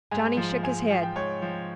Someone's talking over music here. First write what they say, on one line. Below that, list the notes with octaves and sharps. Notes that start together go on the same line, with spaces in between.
Johnny shook his head.
G#2 G#5
F3
G#2 G#5
F3 G#5
G5
G#2 C#5
F3